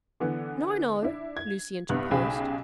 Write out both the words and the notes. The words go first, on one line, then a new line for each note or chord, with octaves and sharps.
"No, no," Lucy interposed.
D3 E3 B3
D4 E4
G#6
C2 G2 B3 F#6
B1 C#3 G4 G#4 B5